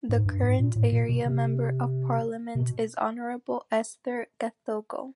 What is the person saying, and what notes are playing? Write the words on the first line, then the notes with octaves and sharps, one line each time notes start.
The current area Member of Parliament is Honorable Esther Gathogo.
G#2
G2
G#2
A#2
A2
A#2
B2
C3
C3
B2